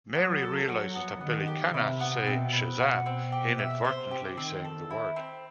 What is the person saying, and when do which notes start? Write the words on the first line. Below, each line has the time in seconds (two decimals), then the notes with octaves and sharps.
Mary realizes that Billy cannot say Shazam, inadvertently saying the word.
0.16 F#3 B3
0.42 A4
0.68 F#3 F#4
0.95 B3
1.21 D#3 B3
1.48 G4
1.74 C3 E4
2.00 B3
2.26 B2 C4
2.53 B4
2.79 B2 F#4
3.06 C4
3.32 G4
3.58 E5
3.84 C3 C5
4.11 G4
4.37 D#3 C4
4.65 A4
4.91 E4
5.16 C4